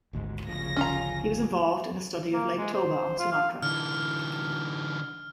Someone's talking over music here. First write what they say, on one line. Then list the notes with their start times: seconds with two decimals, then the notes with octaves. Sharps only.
He was involved in a study of Lake Toba on Sumatra.
0.13 G#1 D2 G#2
0.47 G1 D2 C#3 F3 A#6
0.76 C#4 F4 A#5
2.33 A#3
2.57 G#3
2.73 C5
3.19 F4
3.31 F5
3.62 D3 E3 F6